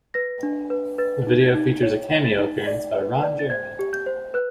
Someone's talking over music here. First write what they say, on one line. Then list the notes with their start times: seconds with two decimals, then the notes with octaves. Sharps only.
The video features a cameo appearance by Ron Jeremy.
0.14 B4 A#6
0.43 D4
0.70 B4
0.98 B4 A6
1.27 D#4
1.41 G#6
1.55 D#4
1.83 C#5
2.11 D#4
2.25 A6
2.39 D#4
2.67 D5
2.95 B4
3.23 D5
3.39 A6
3.50 C5 G#6
3.79 G4
3.93 G6
4.06 C5
4.34 B4 F#6